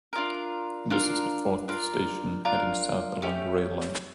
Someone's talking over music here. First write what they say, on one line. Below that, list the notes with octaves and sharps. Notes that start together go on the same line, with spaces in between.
This is the fourth station heading south along the rail line.
D4 F4 A#4
D4 F4 A#4
D4 F4 A#4
D4 F4 A#4
A3 C#4 G4